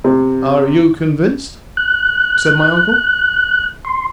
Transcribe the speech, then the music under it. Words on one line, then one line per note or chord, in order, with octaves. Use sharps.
"Are you convinced?" said my uncle.
C3
F#6
C6